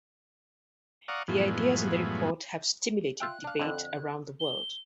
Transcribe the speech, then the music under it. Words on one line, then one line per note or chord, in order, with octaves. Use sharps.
The ideas in the report have stimulated debate around the world.
D5 F5 F#5 A#5 C#6 D#6
F#2 A2 E3 F3 G#3 B3
F4 E5 G5 F#6
D4 F5
F2 D3
G7